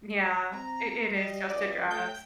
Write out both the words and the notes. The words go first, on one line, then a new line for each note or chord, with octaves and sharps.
Yeah. I it is just a dress.
C4 A#5
G3 D#5
C#2 D5
A3 G5 G6